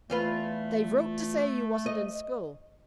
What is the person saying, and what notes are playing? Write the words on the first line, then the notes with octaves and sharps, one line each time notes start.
"They've wrote to say you wasn't in school."
E2 A3 F4 B4
D#5